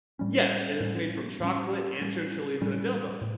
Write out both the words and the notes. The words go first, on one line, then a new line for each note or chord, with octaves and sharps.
Yes, and it's made from chocolate, ancho chilies, and adobo,
A2 G3 C#4
A2 G3 C#4
A2 G3 C#4
A2 G3 C#4
A2 G3 C#4
A2